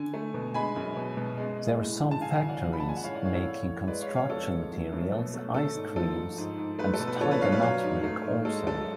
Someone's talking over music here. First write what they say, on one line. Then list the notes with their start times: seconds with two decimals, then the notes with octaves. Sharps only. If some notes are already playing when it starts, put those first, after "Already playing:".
There are some factories making construction materials, ice creams and tiger nut milk, also.
Already playing: D3 G#5
0.14 A3
0.34 B2
0.54 G#3 G#5 B5
0.76 F#2
0.96 B2
1.17 B2
1.37 G#3
1.59 G#3
1.79 A2
2.00 A2
2.11 A5
2.21 C#3 F5 G#5
2.35 F5 G#5
2.42 F#2
2.49 D5 F#5
2.62 F3
2.73 B5
2.80 A5
2.84 G#3 G#5
2.97 F#5
3.04 A2 C#5 F5
3.15 D5 F#5
3.25 A2 C#5 F5
3.35 A4 C#5
3.47 A2
3.67 A2
3.87 G#3 B4 D5
4.01 C#5 F5
4.08 G#3
4.15 C#5 F5
4.29 F2 A4 C#5
4.50 G#3
4.71 F3
4.92 F#2
5.12 B2
5.34 A3
5.54 A3 A4
5.74 G#2
5.96 F3 A4
6.17 F3
6.38 G#2
6.58 G#2
6.79 A3 B4
6.94 A4
7.00 B2
7.07 B4
7.21 F3 A4 C#5
7.31 B4 D5
7.41 F#2 C#5 F5
7.52 B4 D5
7.62 F#3 C#5 F5
7.83 G#2
8.04 A3
8.24 G#2
8.45 G#3 A4
8.67 F#2 A4